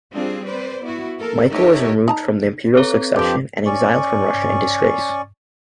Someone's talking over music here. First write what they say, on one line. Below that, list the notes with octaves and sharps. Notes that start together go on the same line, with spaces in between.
Michael was removed from the imperial succession, and exiled from Russia in disgrace.
G3 C4 D4 F4 G#4
C4 B4 C5 D5
B3 E4 F#4
A#3 A4 A#4
D#4 G4 A4 A#4 C#5 E5
D#4 A5 A#5
C4 A4 B4 C#5 A#5
F2 D3 F3 G4 B4 G5 D6
C#4 D5 C#6